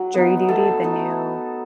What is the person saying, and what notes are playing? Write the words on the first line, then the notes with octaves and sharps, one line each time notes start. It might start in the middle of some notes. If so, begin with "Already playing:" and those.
Jury Duty, the new
Already playing: F#3
B3 D#4
A3 A4
D#4